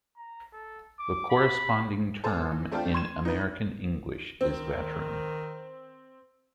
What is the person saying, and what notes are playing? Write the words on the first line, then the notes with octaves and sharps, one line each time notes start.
The corresponding term in American English is veteran.
A#5
A4
D6
B5
A4 C5 G#5 A5
E3
A3 C4 D4 F4 A4 G5
C6 G#6 D#7 E7
D#4 B4
D#3 C4